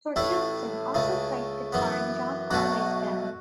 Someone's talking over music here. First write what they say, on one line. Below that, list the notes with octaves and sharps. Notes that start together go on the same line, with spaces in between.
Torkildsen also played guitar in John Otway's band.
A1 A2 A3 E4
C#2 C#3 A3
F#2 E3 B3
B1 B2 A3 F#4